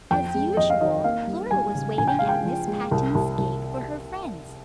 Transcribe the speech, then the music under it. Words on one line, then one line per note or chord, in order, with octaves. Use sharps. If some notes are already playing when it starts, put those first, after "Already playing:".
As usual Flora was waiting at Miss Patten's gate for her friends.
F2 G5
G#3
F2 D#5
F5
D#3 D#5
A#3 F5
G3
G3 G#5
C#3
A#1 G#5
G5
G#3 F5
G5
F3
G#3
C2
C2
C2